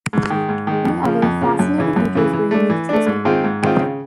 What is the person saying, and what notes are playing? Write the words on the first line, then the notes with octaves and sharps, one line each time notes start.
Three other fascinating features were unique to this game.
G#2
D#3 G#3
G#2
D#3 G#3
F2
C#3 F3
F2
C#3 F3
F#2
C#3 E3
F#2
C#3 E3
E3
A3 D4
E3
A3 D4
G#2
D#3 G#3 C4 F4
G#2
D#3 G#3 C4 F4
C#3